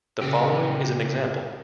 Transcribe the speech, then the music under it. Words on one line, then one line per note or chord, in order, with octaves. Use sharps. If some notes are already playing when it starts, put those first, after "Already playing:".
The following is an example.
C#3 G4